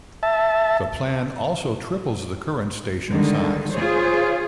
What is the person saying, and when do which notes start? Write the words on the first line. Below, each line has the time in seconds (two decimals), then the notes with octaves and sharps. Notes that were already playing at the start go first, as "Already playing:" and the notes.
The plan also triples the current station size.
0.23 E5 A5
3.11 D3 D#3 G3 G#3
3.72 F4 G#4 C5 C#5